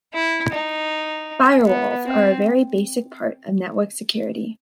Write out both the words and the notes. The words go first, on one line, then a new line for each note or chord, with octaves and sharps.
Firewalls are a very basic part of network security.
E4
D#4
B3
C4